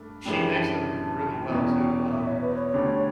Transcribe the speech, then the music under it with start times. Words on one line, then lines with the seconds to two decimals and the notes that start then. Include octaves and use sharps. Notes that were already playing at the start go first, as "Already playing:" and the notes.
She makes them really well, too, um,
Already playing: G2 A3 D4
0.26 F#2 C#3 E3 G3 D4 G5
0.41 G5
0.56 A5
1.19 A5
1.34 G5
1.49 E2 B2 F#3 C#4
2.11 E5
2.27 C#5
2.41 B4
2.53 C#5
2.74 D2 D3 G3 D4
2.95 C#5